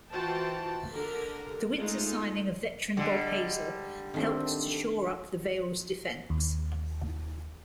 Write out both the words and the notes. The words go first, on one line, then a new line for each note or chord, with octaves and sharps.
The winter signing of veteran Bob Hazell helped to shore up the Vale's defence.
E3 F4 F#4 C5 G5 A5
D3 A#4
G#3 A3 D#4 F4
D3 G3 G#3 D#5
D#3 A3 C4 D4 A4
D#2